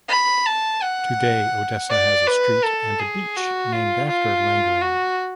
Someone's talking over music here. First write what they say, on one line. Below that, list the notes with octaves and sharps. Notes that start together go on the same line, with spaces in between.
Today Odessa has a street and a beach named after Langeron.
B5
A5
F#5
D5
B4
A4
G#4
F#4
F4
F4
F#4